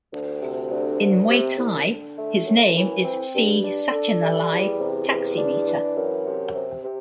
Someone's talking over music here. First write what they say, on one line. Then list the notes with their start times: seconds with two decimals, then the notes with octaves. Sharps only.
In Muay thai his name is Si Satchanalai Taxi Meter.
0.12 D2
0.41 C3
0.71 D2
1.00 C2
1.29 C3
1.58 C2
1.88 D3
2.17 A3
2.45 F#2
2.75 E3
3.05 C4
3.34 G2
3.63 D4
3.92 A4
4.21 G3
4.50 E2
4.79 C3
5.08 E2
5.37 D4
5.67 E3
5.96 F#2
6.25 C3
6.54 C3
6.83 C3